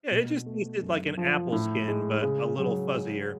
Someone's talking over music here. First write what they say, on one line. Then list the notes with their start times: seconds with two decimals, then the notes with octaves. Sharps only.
Yeah, it just tasted like an apple skin, but a little fuzzier.
0.11 B2
0.46 A3
0.82 F#2
1.17 F3
1.52 A2
1.88 G#3
2.22 C#3
2.58 F#3
2.93 G#3